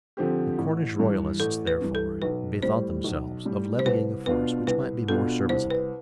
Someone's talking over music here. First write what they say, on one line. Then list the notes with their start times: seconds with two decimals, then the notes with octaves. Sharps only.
The Cornish royalists, therefore, bethought themselves of levying a force which might be more serviceable.
0.17 D3 F3 C4 G4
0.58 A1
0.99 G2 E3
1.40 A1 A4
1.67 B4
1.81 G2 E3
1.95 A4
2.22 B1 B4
2.63 A2 G3 C5
3.04 B1
3.45 A2 G3
3.79 C5
3.86 C2 B4
4.26 B2 B3 D4 F4 B4
4.67 C2 B4
5.08 B2 B3 D4 F4 A4
5.49 C2 C5
5.70 B4